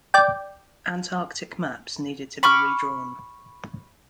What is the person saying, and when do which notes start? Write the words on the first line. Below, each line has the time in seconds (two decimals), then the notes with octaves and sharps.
Antarctic maps needed to be redrawn.
0.14 D5 G5
2.43 B5 C#6 D6 F6